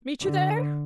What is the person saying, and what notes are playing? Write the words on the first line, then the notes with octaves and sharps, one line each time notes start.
Meet you there?
D3